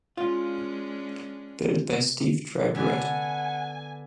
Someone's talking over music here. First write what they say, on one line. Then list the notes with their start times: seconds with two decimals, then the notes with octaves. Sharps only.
Built by Steve Drybread.
0.17 G#3 C#4 D4 F4
2.75 D3 B3 F#5 G#5